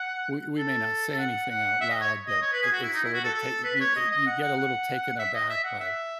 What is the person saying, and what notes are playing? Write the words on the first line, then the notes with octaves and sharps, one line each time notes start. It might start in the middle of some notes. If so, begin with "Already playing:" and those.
we we may not say anything out loud, but, i it's a little ta you e you get a little taken aback by
Already playing: F#5
A4
F#5
F#5
E5
D#5
C#5
D#5
C#5
B4
G#4
F#4
E4
D#4
E4
F#4
A4
A4
B4
B4
C#5
D#5
D#5
F#5
F#5
F#5
E5
D#5
E5
F#5
E5